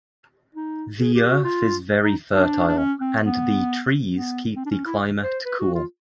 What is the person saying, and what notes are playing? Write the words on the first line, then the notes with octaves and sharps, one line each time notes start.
The earth is very fertile and the trees keep the climate cool.
D#4
G#4
G4
F#4
F4
D#4
D4
D4
C#4
C4
B3
B3
C4
D4
C#4
E4
C5
B4
F#4
F4